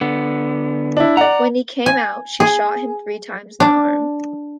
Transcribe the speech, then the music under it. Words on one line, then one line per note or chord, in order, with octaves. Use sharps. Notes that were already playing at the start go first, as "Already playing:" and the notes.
When he came out, she shot him three times in the arm.
D3 B3
D4 E4
D5 F#5 A#5
G#5
G#4
D4